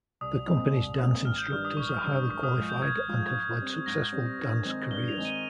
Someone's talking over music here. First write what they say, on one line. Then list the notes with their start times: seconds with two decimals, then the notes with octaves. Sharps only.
The company's dance instructors are highly qualified and have led successful dance careers.
0.21 C2 D#6
0.47 A#2 G#3 C4 D#4
0.73 C2
0.99 A#2 G#3 C4 D#4
1.25 G#1 F6
1.38 G6
1.51 G2 D#3 G3 F6
1.65 D#6
1.77 G#1 C#6
1.89 D#6
2.04 G2 D#3 G3
2.30 G#1 C#6
2.43 D#6
2.56 G#2 F3 G#3 D#6
2.69 G6
2.82 G#1 G#6
3.08 G#2 F3 G#3
3.34 G#2
3.60 G3 C4
3.86 G#2 A#6
4.12 G3 C4
4.38 G2
4.64 D#3 G#3 C4 D#4
4.91 G2 G7
5.08 F7
5.17 D#3 G#3 C4 D#4
5.25 D#7